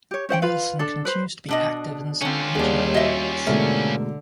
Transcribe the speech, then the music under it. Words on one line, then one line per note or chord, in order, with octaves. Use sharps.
Nielsen continues to be active in some regional areas.
G4 C#5
C#4 C5 F#5 G5
F4 B4 F5
D4 A4
B4 C5
B2 D4 D#5
D3 C4 C#4 F4
D#2 G3 B3 D4 G#4
F#4 D#5 E5
G#2 B2 D3 A3 A#4 E5